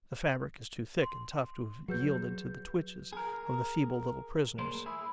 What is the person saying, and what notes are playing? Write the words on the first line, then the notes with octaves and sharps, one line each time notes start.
The fabric is too thick and tough to have yielded to the twitches of the feeble little prisoners.
C6
F#3 G#4 B4 G6
G#4 A#4
G#3 A#3 C5
E4 G#4